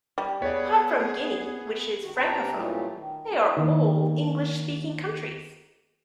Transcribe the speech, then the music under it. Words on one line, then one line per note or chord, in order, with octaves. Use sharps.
Apart from Guinea, which is Francophone, they are all English speaking countries.
G3
B3 G#4 C#5 D5
F#2 D#3 F#4
C3 D4 B4 G5 A5 A#5
A#2 E3 F#3 G3 A3
D#3
E3 A3 B3 C4 D4
D#3 A#3